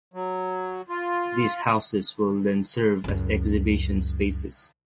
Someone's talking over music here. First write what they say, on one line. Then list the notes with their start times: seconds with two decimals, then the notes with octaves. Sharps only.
These houses will then serve as exhibition spaces.
0.14 F#3
0.89 F4
3.04 C#2 F#2